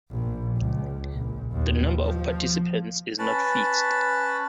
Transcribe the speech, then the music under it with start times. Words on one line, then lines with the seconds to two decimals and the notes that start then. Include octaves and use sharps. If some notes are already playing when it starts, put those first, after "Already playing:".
The number of participants is not fixed.
0.11 A#1
0.57 C#2
1.13 A#1
1.52 D#2
2.05 F3
3.19 C#4 B4 A5